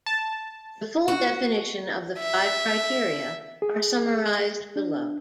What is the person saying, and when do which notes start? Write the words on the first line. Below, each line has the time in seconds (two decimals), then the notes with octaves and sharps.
The full definition of the five criteria are summarised below.
0.06 A5
1.08 F#4
2.19 E5
3.62 G#4
4.76 D4